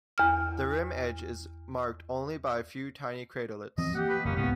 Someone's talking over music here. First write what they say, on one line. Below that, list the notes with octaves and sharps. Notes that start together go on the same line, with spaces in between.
The rim edge is marked only by a few tiny craterlets.
E2 F6
E3 F3 C4 D#5
A#3 G4 F#5
B4
F#1 F2 A#3 C#4
C#2 A2 C#3 B3 C#4